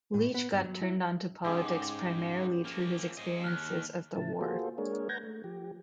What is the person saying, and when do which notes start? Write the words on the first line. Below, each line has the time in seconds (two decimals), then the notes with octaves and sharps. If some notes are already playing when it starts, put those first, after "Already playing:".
Leech got turned onto politics primarily through his experiences of the war.
0.14 A2
0.34 B3
0.52 G2
0.64 F#3
0.82 E4
1.44 G#2 C#3 G#3 G4
1.67 D6
2.65 F3 A#3
3.17 C5 D#5
3.44 D#2 F6 F#6
4.16 A2 C#3 E4 A5
4.41 A#3 F4 F#4 G#4 A4 C5
4.78 G#3 A#3 D4 G#4 A#4 C#5
5.09 B4 F#5 A#5 G6 G#6 A#6
5.23 A3
5.44 F3 G4